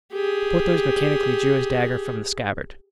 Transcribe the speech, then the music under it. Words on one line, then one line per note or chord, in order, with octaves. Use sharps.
Porthos mechanically drew his dagger from the scabbard.
G4 G#4